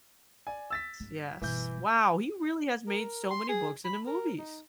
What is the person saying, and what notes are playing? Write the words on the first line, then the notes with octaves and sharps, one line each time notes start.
yes, wow, he really has made so many books into movies.
D5 G#5
E6 A6 B6
G1
G1 B2 E3 G6
A#4
C6
G#4
B5
A#4
D#4